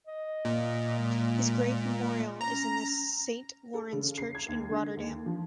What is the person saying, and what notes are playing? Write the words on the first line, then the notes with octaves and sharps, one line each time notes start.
His grave memorial is in the Saint Laurens Church in Rotterdam.
D#5
A#2
G#3
C#4 A#5
A4
C#3
C7
G#6
D#2
D3
D#2
F3